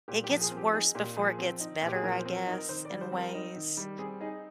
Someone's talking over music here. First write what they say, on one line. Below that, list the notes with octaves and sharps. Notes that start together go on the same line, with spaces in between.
It gets worse before it gets better, I guess, in ways.
A#2 G4
G4
F3
G#4
C4
G4
D#4 G#4
A#2 G4
F3 G#4
C4
D#4
A#2
G4
G#4
F3 A#4
C5
C4
A#4
D#4
A#4
D#3 C5
D5
G3
C5
C4
A#4
D#4
D#3
G3
C4 G#4
D#4 G#4